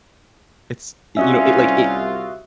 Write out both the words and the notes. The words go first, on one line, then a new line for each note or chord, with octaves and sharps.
It's, you know, it, like, it
C2 C#4 F4 F#4 D#5 E5